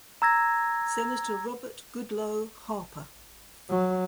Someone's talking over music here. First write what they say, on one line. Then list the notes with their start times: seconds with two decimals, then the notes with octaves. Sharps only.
Senator Robert Goodloe Harper.
0.22 A#5 E6 G#6 A#6
3.69 F#3